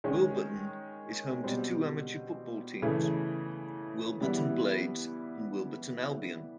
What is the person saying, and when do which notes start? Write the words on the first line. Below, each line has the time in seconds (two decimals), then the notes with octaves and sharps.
Wilburton is home to two amateur football teams, Wilburton Blades and Wilburton Albion.
0.04 D#3 G#3 C#4
1.44 B2 G3 C4
2.82 C#3 E3 A3
4.21 E3 G3 B3 E4